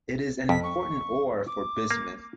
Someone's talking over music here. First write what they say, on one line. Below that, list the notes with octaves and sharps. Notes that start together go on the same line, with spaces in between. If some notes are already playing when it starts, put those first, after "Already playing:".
It is an important ore for bismuth.
F2 B6
C#6
D6
A#3